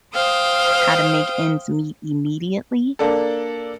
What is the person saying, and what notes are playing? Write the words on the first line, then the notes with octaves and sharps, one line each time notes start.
how to make ends meet immediately,
C5 F5 G5 D#6
A#3 D4 A4